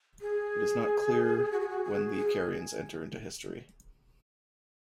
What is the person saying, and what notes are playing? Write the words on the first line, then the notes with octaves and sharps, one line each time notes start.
It is not clear when the Carians enter into history.
G#4
F#4
G#4
F#4
G#4
G#4